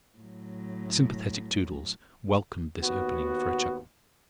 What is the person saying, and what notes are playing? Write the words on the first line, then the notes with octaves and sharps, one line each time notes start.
The sympathetic Toodles welcomed this opening for a chuckle.
A2 F#3
D#2 B3 F#4